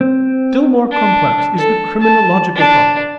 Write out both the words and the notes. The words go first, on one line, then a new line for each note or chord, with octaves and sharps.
Still more complex is the criminological problem.
C4
D4
A4
A5
D4